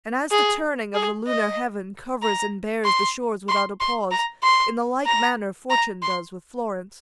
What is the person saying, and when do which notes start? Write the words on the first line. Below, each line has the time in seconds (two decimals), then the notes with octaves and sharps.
And as the turning of the lunar heaven Covers and bares the shores without a pause, In the like manner fortune does with Florence.
0.31 G#4
0.94 G#4
1.27 D#5
2.22 A#5
2.85 C6
3.49 C6
3.80 C6
4.11 A#5
4.43 C6
5.06 A#5
5.70 A#5
6.02 C6